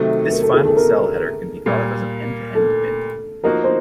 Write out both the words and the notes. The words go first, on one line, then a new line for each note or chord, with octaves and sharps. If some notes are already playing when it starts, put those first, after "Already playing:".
This final cell header can be thought of as an "end-to-end bit".
Already playing: C3 D#3 F#3 A3 A4
A#4
A4
G#4
A4
A#4
A#2 G3 A#3
A4
F3 A#3 D#4 F#4 A#4
C5